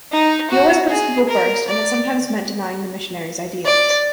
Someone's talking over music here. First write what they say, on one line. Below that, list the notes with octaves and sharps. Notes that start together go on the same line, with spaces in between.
He always put his people first, and that sometimes meant denying the missionaries' ideas.
D#4
F#4
G#4
A#4
D5
D5